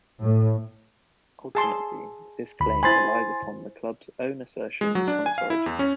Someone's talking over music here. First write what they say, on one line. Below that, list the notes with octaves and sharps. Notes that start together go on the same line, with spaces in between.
Ultimately this claim relies upon the Club's own assertions on its origins.
A2
G#4 A5 C6
D2 B5
E4 C5 G#5 B5 C6 A6
G#3
F#3
D4
G#5
F5
E4
E2
C#4